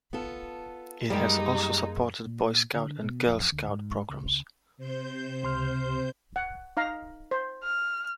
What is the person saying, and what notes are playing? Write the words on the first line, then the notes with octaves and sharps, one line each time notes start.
It has also supported Boy Scout and Girl Scout programs.
B3 F4 A4
F#2 G3 G#3 A#3 D#4 G4
A#2
D3
B2
F2
D2
G#2
C#2
C3 C5 G6
C#2 C6 F6
F#5
D#4 F5 A#5
C5
F6